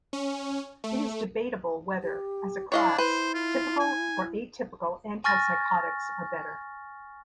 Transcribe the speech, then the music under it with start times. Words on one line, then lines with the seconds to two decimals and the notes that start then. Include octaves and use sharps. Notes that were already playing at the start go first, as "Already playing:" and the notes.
It is debatable whether, as a class, typical or atypical antipsychotics are better.
0.13 C#4
0.84 A3
2.03 G4
2.72 D4 E4 C#5 D#5 F5
2.98 E4 B4 C5
3.34 F4
3.80 G#5
5.24 G#5 C#6 F6 A6 A#6